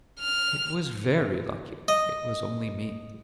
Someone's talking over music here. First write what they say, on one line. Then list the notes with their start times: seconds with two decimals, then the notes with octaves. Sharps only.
It was very lucky it was only me.'
0.20 F6
1.88 D#5